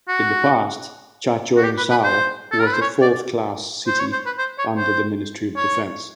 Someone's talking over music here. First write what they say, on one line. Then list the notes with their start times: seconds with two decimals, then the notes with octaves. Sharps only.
In the past, Chachoengsao was a fourth-class city under the ministry of defence.
0.08 F#4
1.57 F#4
1.65 G4
1.78 B4
1.91 B4
2.04 C5
2.52 A4
2.59 A#4
2.67 B4
2.74 C5
2.81 C#5
3.02 D5
3.87 C5
4.00 C#5
4.12 C5
4.26 B4
4.38 C5
4.59 C#5
4.77 C5
5.57 C#5